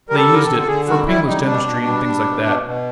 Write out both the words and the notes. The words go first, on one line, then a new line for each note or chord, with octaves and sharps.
They used it--for painless dentistry and things like that!
G3 A#4
A4
D3 A#4
A4
D3
A4
D3 G#4
G3 F#4
G3 E4
G3 D#4
B2 D4
B2
G3
G3
B2
B2
B2